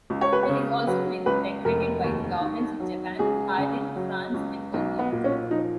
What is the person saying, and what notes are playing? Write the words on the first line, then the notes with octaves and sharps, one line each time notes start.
He has also been decorated by the governments of Japan, Thailand, France and Korea.
C#2
C#5
B4
C#5
C#3
F#3 B4
C#2 B4
F1 A#4
D#2
D#3
F#3
C#2 G#4
C#3
F#3
C#2
B1 D#4
B3
A#2
C#4
F3 D#4